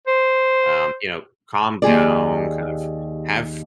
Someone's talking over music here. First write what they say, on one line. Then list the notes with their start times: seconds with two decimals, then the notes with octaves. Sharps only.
um, you know, calm down, kind of have
0.07 C5
1.82 D#2 G4 G#4 D5